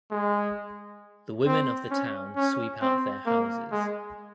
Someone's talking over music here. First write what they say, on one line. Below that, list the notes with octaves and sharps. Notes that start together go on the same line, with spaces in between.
The women of the town sweep out their houses.
G#3
C4
C#4
C#4
C4
A#3
G#3